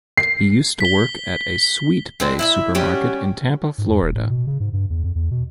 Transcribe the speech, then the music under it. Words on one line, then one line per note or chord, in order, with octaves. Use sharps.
He used to work at a Sweetbay Supermarket in Tampa, Florida.
C7
B6 G7
G#3 C4 D4
E4 D#5 E5
G3 C#4 F#4 G4
G#2
F2
D#1
A2
B2
C#3
G#2
G2
E2
F2
E2
B2